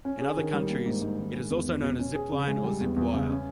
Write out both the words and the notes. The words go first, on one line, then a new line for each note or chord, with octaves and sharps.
In other countries, it is also known as a zip-line or zip-wire.
C#4
G#4
D#3
G3
A#3
G#2
G#2
D#3
G#3
E2
E2
B2
C#4
G#4
C#3
G#3
G3
E2
E2
C#3
C#4